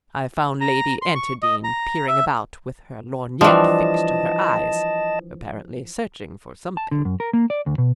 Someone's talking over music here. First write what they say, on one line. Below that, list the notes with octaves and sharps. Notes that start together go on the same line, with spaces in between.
I found Lady Enterdean peering about with her lorgnette fixed to her eyes, apparently searching for something.
A#5
C6
C#6
D#5
A#5
E5
E3 F3 G3 D4 D#5 A5
A5
D3
F#2
A#4
A#3
D5
D2
B2